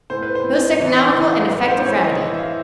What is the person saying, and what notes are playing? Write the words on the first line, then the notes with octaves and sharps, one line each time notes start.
Most economical and effective remedy.
A2 C5
B4
C5
A2
E3
E3
A2 B4
C5
A2 C#5
D#5
E3 E5
E5
F5